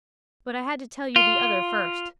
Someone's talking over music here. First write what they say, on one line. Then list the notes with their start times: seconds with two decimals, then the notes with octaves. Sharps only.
But I had to tell you the other first.
1.16 F4